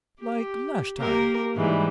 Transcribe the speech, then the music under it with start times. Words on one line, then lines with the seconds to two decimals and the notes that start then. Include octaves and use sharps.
"Like last time?"
0.21 G4
0.98 A#3 G4 A#4
1.56 G#2 E3 G3